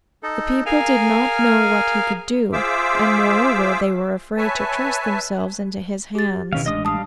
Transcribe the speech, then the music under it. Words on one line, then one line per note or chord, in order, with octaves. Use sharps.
The people did not know what he could do, and moreover they were afraid to trust themselves into his hands.
D#4 A4
G#4 A#4 F5 G#5 F6
F4 G#4 C5 E5 D6 E6
B4 C#5 E5 G#5 A5
G4 A6
B2 D#3 E3 C#4 F5
A1 G#3 D4 D#5 D#6
G3 F5 A5 D#6